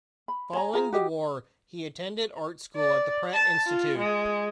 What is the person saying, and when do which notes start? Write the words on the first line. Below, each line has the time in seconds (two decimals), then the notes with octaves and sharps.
Following the war he attended art school at the Pratt Institute.
0.28 B5
0.53 C#5 G#5 A#5
0.74 F4 G#4 A#5
0.93 F#4 G4 D#5
2.76 D5
3.34 A5
3.67 F4
3.99 G#3